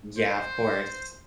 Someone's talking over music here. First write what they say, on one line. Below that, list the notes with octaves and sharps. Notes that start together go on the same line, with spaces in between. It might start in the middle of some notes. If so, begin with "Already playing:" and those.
Yeah. Of course.
C5